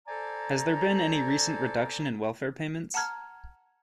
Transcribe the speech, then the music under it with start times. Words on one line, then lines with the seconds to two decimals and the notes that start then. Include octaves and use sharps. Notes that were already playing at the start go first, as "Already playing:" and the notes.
Has there been any recent reduction in welfare payments?
0.08 A4 C5 D5 G#5 A#5
2.94 F#5 A5 A#5 F6 G#6